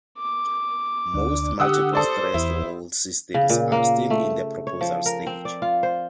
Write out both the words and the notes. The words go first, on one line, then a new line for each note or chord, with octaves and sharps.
Most multiple-threshold systems are still in the proposal stage.
D6
D2 D4
D3 G4 F#5 D#6 E6
A4 C5 D5
E2 E4
C#3
A#2
A#3
A3
C#5
F3
A#4
C4
D5
F4
C5